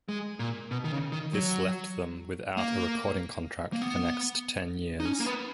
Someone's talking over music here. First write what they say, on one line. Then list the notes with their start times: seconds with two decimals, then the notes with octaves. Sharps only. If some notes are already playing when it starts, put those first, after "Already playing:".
This left them without a recording contract for the next ten years.
0.09 G#3
0.39 A#2
0.71 B2
0.84 D#3
0.92 C#3
1.12 D#3
1.33 F#3
2.57 A#3
3.73 A#3
3.82 B3
5.00 D#4
5.05 C#4
5.20 A#3
5.26 B3